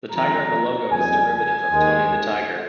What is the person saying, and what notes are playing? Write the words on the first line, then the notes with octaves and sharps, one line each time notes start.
The tiger in the logo is derivative of Tony the Tiger.
F2 D#3 G#3 A#5
F2 C#3 G3 A#3 D#4 G#5
G#5
D#2 D#3 G#3